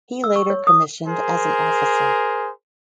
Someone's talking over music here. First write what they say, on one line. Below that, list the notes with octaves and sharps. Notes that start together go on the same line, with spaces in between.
He later commissioned as an officer.
E6
C#6
C#5
D#6
G#4 A#4 C5